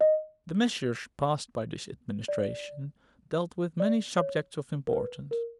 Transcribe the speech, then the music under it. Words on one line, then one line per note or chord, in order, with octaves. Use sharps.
The measures passed by this administration dealt with many subjects of importance.
D#5
D5
D5
C#5
A#4
B4
A#4